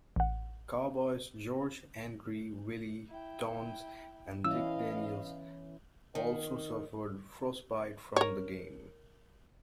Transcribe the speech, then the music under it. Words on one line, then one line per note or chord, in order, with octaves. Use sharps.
Cowboys George Andrie, Willie Townes, and Dick Daniels also suffered frostbite from the game.
A1 F#5
E4 G5
E3 C#4 E4 D#5 F5 E6
D#3
A#4 C#5